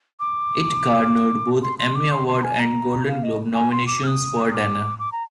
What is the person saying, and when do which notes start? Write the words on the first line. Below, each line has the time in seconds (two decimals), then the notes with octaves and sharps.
It garnered both Emmy Award and Golden Globe nominations for Danner.
0.20 D6
1.63 C6
1.79 C6
1.95 D6
2.11 C6
2.28 C6
2.43 G#5
2.59 A#5
3.08 F5
3.23 D#5
3.55 G#5
3.72 C6
3.87 D6
4.03 F6
4.07 D#6
4.51 D#6
4.55 D6
4.99 D6
5.12 A#5